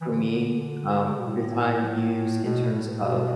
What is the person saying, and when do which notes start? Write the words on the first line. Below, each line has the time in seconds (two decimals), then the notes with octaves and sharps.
for me, um, the time used in terms of,
0.01 E3
0.08 D3
1.17 B2
1.26 A2
2.43 B2
2.72 A2
3.03 B2